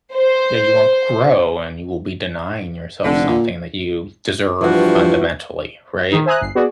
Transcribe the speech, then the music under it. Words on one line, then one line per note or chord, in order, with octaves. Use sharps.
Yeah, you won't grow, and you will be denying yourself something that you deserve, fundamentally, right?
C5
F1 D3
A#2
G2 E3 F3 F#4
D#3 D#4
C5 E5 G#5 A#5 D#6 F#6
G1 C7
B3 F#4 G#4 D5